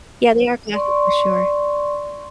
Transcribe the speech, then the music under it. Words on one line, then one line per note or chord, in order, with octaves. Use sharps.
Yeah, they are classic for sure.
D5 C6 C#6